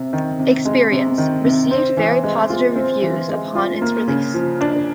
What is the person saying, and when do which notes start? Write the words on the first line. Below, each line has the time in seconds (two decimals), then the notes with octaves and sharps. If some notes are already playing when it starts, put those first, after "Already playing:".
"Experience" received very positive reviews upon its release.
Already playing: C3
0.13 D#3
0.39 C3
0.65 G#3
0.92 C3
1.18 D#3
1.44 C3
1.71 C4
1.97 E3
2.24 G#3
2.50 F4
2.76 C4
3.02 E3
3.29 G#3
3.55 F4
3.81 A#3
4.08 C#3
4.34 F3
4.61 D4